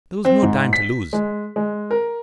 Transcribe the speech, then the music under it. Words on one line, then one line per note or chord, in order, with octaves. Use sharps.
There was no time to lose.
C4
G#2
B6
G#3
G#3
A#4